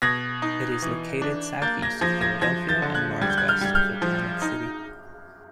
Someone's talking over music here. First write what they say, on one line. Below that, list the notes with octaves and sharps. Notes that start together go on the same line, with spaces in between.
It is located southeast of Philadelphia and northwest of Atlantic City.
B2 G#6 A#6
D#4
E3
D4
A#3 G6 A6
G#6 A#6
F3 G#6 A#6
G#6 A#6
F3 G#6 A#6
G6 A6
D3
F#6 G#6
G3 G#6
G6
F#6 G#6
F6 G6
G3 G#6
F6 G6
F3
D#4